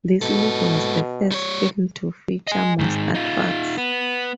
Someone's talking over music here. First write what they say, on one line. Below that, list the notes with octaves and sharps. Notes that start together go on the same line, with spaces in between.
This movie was the first film to feature monster trucks.
G#2 B2 A4
G3 C#5
D#5 G#5
G#2 D#3
D#4 F4
B3